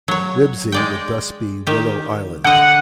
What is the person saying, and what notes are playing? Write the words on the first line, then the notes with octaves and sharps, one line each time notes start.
Wibsey would thus be "willow island".
F#3 C#5
G#3 D5 G5
D#3 G4
D3 D#5 F#5